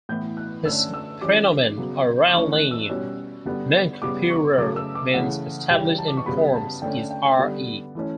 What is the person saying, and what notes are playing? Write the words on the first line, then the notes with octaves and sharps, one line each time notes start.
His prenomen or royal name, Menkheperure, means Established in forms is Re.
A2 E3 B3 G6
F#6
D3 A3 C#4 E6
E6
E3 G3 C#4 D6
C#3 F#3 B3
D6
E3 A3 C#4 C#6
F#6
E6
B2 G3 C#4
D3 G3 B3
C#3 G3 B3 D6
C#6
C#3 F#3 A3 D6
E6
D6
C#3 E3 A3 F#5
C#3 E3 G3 C#4 G5
A5
D6
C#6
C#3 G3 B3 B5
A5
D3 A3 C#4 G5
G5
D3 G3 B3
E3 A3 C#4